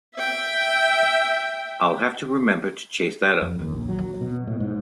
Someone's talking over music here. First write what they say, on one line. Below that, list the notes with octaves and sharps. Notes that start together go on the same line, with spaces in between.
I’ll have to remember to chase that up.
E5 G5
F2
D#2
A#1
F#3
B2
A2
G#2